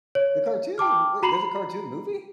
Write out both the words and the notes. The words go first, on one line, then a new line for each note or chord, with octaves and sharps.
the cartoon? Wait, there's a cartoon movie?
C#5
G5 A5 D6 F6
F#4 A#5 B5 C7 F#7